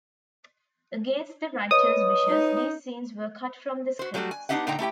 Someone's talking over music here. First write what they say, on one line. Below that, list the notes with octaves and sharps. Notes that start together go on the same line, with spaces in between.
Against the writer's wishes, these scenes were cut from the scripts.
B4 C#5 D#5 D#6
D#4
F#4 C5
F#3 G3 A3 F4 F#4
G#5
B3 D4 D#4 G4 E5 F#5
A#2 D3 D#4 F#5 G5 A#5
A3 E4 G4 G5